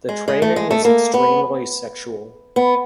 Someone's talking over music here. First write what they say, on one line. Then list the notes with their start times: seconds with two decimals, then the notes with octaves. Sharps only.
The training is extremely sexual.
0.09 G#3
0.28 G#3
0.42 A3
0.56 G#3
0.71 A3
0.85 A#3
1.14 B3
2.56 B3